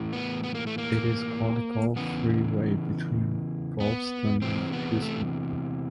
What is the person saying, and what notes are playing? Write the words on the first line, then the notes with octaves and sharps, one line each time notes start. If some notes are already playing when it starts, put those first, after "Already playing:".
It is called Gulf Freeway between Galveston and Houston.
Already playing: A2 E3
B3
B3
A#3
A3
A#3
E2 C#3 E3 B3
B3
E2 C3 E3 C4
B3
A3